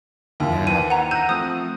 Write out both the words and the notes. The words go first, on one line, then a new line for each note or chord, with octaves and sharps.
Yeah, no
D#2 E4 F4 E5
E3 C5 A5 D#7
F#5 A#5
E6 F#6 G6 A#6 D#7
F3 A3 C4 D#6